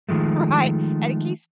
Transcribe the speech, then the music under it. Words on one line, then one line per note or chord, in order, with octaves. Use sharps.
Right? And he Keith's
D#3 F3 G#3 A3